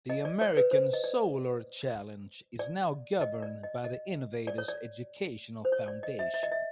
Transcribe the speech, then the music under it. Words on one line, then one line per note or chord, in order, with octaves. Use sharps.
The American Solar Challenge is now governed by the "Innovators Educational Foundation".
D#5
D5
C#5
B4
C5
D#5
D5
D5
D#5
D5
D#5
D#5
D5
C#5
D5
C5
C#5
D5
D#5
E5
E5
D#5
E5